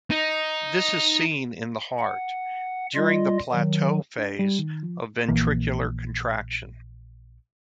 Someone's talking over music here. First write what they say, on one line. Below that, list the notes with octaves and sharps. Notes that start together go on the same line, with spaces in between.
This is seen in the heart, during the plateau phase of ventricular contraction.
D#4
F#5
G3 F4 D#5
D#3 F#3
D4
G3
D#3
F3
A#1 E3 A#3